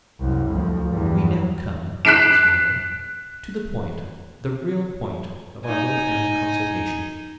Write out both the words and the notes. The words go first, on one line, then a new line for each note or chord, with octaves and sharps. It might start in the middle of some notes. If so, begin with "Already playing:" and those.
'We now come,' says Veneering, 'to the point, the real point, of our little family consultation.
C2 F#2
D2 F3
E2 G2
F#6 B6 C7 D7 E7
D#4 G#5